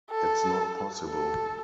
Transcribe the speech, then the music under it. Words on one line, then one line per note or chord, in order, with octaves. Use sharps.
It's not possible.
A4
A4